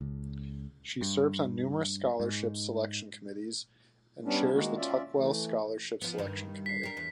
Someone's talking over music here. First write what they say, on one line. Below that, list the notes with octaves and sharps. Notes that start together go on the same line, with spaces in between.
She serves on numerous scholarship selection committees and chairs the Tuckwell Scholarship Selection Committee.
C#2
G2
G#2
G3 B3 C#4 D4
D#3 G#3 A#3 F#4
C#4 F4 D5 E5
E3 A3
F3 B3
G2 D#3
B6 C7
G3 A#4
E2